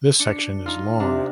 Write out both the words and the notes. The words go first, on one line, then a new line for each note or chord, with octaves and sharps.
This section is long.
D4 C#7
D#4 F4
C3 D4 D#4